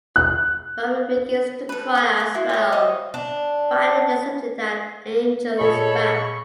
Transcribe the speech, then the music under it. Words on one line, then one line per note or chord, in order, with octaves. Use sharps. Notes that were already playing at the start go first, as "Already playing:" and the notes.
Buffy begins to cry as well, finally accepting that Angel is back.
F#6
A4 B4
A4 G#5
F5 D6
E4 F#4 C5
C#5 E5
F4 C5 C#5 D#5
D4
A#2 G#4 A4 C#5 D#5 B5 C#6